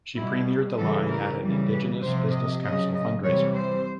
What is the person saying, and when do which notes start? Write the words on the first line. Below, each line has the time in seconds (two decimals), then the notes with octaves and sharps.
She premiered the line at an Indigenous Business Council fundraiser.
0.15 B2 G3 E4
0.77 C#3 E3 G3 A4
1.08 A#4
1.38 C#3 E3 G3
1.70 B4
2.00 C3 F3 C5
2.31 D#5
2.62 C#3 F#3 D#5
2.93 D#5
3.24 C3 E3 G3 C#5
3.54 C5